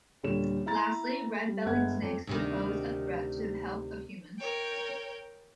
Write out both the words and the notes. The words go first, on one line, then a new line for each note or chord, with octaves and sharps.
Lastly, red-bellied snakes could pose a threat to the health of humans.
D#1 A#2 D3 G3 C#5 E7
E4 A#5 A6
G3
G1 G#3 F#5 G#6
F2
D2 C3 D#3
A#4 C#5 G5